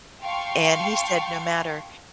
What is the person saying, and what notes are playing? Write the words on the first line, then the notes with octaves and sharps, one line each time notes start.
and he said, "No matter"
F5 G5 A5 C6 C#6